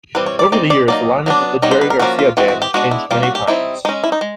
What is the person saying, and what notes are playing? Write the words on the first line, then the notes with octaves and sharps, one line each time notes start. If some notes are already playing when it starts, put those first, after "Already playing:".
Over the years, the lineup of the Jerry Garcia Band changed many times.
E3 G3 C4 B4
C#5
D5
G#3 C4 D#4 D5
D5
F#3 A#3 D#4 D5
F#3 B3 D4
G3 B3 D#4 C#5
C5
B4
A#4
F3 A#3 C#4 F#4
F4
E3 G#3 C4 F#4
F#4
G4
G#3 B3 D4 F#4
E4
G3 A#3 C#4 F4
F#4
G4
G3 C4 D#4 E4
G#3 C#4 D#4
E4
D#4
G#3